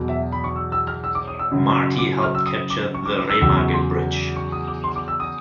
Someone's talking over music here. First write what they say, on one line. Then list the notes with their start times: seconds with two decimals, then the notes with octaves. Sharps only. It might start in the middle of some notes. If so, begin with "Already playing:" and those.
Marty helped capture the Remagen Bridge.
Already playing: E2 B2 F#3
0.09 E5
0.32 B5
0.44 C#6
0.56 E6
0.72 E6
0.87 F6
1.04 E6
1.15 D6
1.28 D#6
1.39 E6
1.51 F#2 C#3 F#3
1.98 D6
2.23 F6
2.35 E6
2.46 D#6
2.70 D6
2.94 C#6
3.06 D6
3.18 D6
3.29 E6
3.41 E2 C#3 F#3 E6
3.57 C#6
3.74 C6
4.36 C#6
4.52 D#6
4.68 D6
4.84 C6
4.96 D6
5.08 E6
5.20 D#6